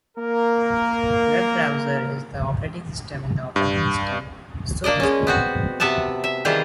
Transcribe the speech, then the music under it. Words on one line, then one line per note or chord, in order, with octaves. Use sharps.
The web browser is the operating system in the operating system, so to speak.
A#3 A#4
G2
A#3 D4 D5 D#5
G#3 C#4
B3 C4 F#4
C3 B3 E5 F#5 A5
E5
D#3 E3 G3 F4 G#4 D#5